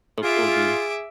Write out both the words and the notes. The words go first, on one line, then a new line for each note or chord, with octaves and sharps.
Oh, cool, dude.
F4 G#4 E5 D6